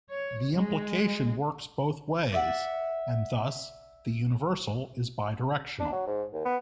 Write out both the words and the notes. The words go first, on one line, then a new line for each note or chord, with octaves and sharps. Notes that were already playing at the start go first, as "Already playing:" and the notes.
The implication works both ways, and thus the universal is bidirectional.
C#5
G#3
D5 E5 F#5
D4
F#3
G#2
D#2
B3